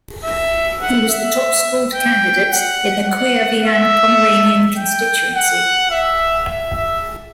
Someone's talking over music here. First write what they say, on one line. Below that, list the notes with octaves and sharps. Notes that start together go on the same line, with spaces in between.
He was the top scored candidat in the Kuyavian-Pomeranian constituency.
E5
F#5
E5
G5
F#5
F#5
E5
G5
F#5
E5
E5
E5